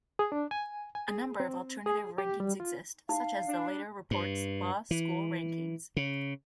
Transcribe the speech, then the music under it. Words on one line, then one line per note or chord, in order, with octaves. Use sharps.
A number of alternative rankings exist, such as the Leiter Reports Law School Rankings.
G#4
D4
G#5
G#5
G#4
C4
G#4
G4
G3
F4
D#4 F5
D4
G2
E3
C#3